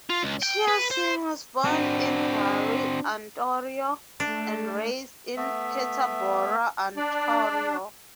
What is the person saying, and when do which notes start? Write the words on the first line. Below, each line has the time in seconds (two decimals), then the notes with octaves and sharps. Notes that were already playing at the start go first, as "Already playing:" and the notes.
Chiasson was born in Barrie, Ontario, and raised in Peterborough, Ontario.
0.10 F4
0.23 C#2
0.42 G5
0.68 B4
0.91 C5
1.65 C4 D4 F#4
4.20 A3 D4
5.37 A3 B3 E5
6.97 D4 D5